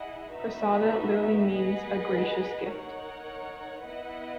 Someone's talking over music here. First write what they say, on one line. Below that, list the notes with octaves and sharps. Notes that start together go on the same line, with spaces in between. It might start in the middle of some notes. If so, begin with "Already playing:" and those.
'Prasada' literally means a gracious gift.
Already playing: E4 G#4 D#5 F#5
B3 D#4 F#4 B4 E5
G#4 B4 D#5 F#5
D#4 A#4 C#5 F#5
B3 E4 B4 D#5 F#5